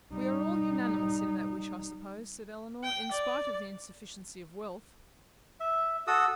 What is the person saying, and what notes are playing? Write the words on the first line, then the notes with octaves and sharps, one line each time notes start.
"We are all unanimous in that wish, I suppose," said Elinor, "in spite of the insufficiency of wealth."
G3 D#4
G5
D5
E5
F#4 A4 D#6 E6